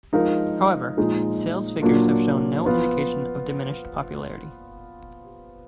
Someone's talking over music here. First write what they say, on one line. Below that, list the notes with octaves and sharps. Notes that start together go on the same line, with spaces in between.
However, sales figures have shown no indication of diminished popularity.
F3 G#3 D#4 A#4 F5
A#2 F3 G#3 D#4
A#2 F#3 A#3 D4 F4
F3 B3 F4